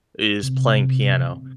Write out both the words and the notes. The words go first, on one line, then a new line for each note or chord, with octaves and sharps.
is playing piano.
C3